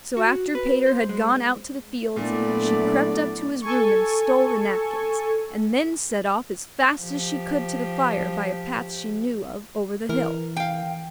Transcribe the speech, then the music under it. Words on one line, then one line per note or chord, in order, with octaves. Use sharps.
So after Peter had gone out to the fields, she crept up to his room and stole the napkins and then set off as fast as she could to the fire by a path she knew of over the hill.
F#4
B4
C5
G#3
A#2 F#3 A3 B3 D4 E4 D5
A4 G#5 C#6
F3 G4
E3 A#4
F5 G5